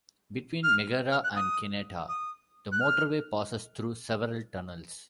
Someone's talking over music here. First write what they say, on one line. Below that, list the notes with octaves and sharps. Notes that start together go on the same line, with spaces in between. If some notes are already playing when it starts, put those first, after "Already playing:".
Between Megara and Kineta the motorway passes through several tunnels.
F6
F6
F#6
D#6
D#6
F#6
F6